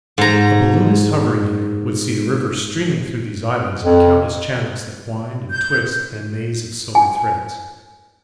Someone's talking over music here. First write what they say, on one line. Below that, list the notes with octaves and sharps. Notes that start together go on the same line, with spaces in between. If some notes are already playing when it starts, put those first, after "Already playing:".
A balloonist hovering here would see the river streaming through these islands in countless channels that wind and twist in a maze of silver threads.
G#2 A#5
F2
G6
G#5